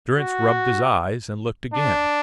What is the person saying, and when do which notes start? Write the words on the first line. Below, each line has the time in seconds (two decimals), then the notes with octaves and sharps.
Durrance rubbed his eyes and looked again.
0.18 F#4
1.74 D4